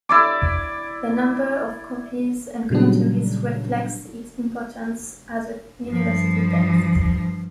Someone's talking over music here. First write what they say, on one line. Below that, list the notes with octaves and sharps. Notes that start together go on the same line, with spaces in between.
The number of copies and commentaries reflects its importance as a university text.
E4 D5 D6
A#2 C#3 F#3 G3 D4
G2 F3